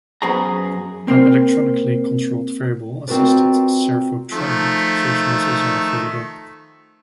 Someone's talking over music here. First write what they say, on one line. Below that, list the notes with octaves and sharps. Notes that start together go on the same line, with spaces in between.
An electronically controlled variable assisted 'servotronic' version was also available.
F#2 B3 G#4 C5 A#5
A#3 C4 A#4 C5
C4 F4 F#4 A#4 B4 D5
D#3 F3 A3